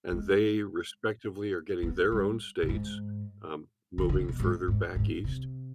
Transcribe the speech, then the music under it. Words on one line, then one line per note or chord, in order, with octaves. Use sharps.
and they respectively are getting their own states, um, moving further back East.
G#3
B3
G3
B2
G#2
D#3
D3
C3
B2
G#2
G#2
G#2
C3